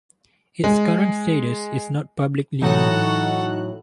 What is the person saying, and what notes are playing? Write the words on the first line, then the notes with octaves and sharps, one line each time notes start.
Its current status is not publicly known.
G#3
A2 E3 F#3 D#4 F#4 A4 F#5 F#6